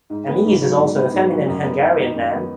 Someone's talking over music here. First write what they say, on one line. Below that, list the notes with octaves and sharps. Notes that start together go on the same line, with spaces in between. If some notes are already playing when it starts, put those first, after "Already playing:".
Emese is also a feminine Hungarian name.
G#2
B3
G#2
F#3
G#2
B3
G#2
F#3
F#2
B3
D#4
D#3
F#2
B3